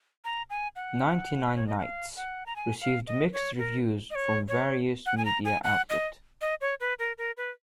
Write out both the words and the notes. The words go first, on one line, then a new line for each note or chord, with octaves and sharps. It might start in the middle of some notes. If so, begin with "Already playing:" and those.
"Ninety-Nine Nights" received mixed reviews from various media outlets.
A#5
G#5
F#5
B4
C#5
D#5
F#5
F5
F#5
A#5
G#5
F5
D#5
C#5
A#4
D#5
C#5
C#5
F#5
G#5
A#5
G#5
F#5
D#5
D#5
C#5
B4
A#4
A#4
B4